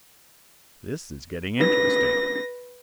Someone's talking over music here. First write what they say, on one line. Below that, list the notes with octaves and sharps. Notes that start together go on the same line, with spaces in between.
This is getting interesting!
B4 A#6